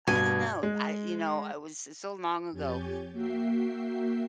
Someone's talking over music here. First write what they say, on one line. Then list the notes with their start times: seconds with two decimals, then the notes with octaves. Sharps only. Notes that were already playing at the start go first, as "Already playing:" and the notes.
I don't know. I you know, I was it's so long ago.
0.07 G2 B2 G#5
0.63 G#3
2.51 F2 G4 C#5 G#5 G6 A6
3.13 A#3 F#4 E5 G5 C7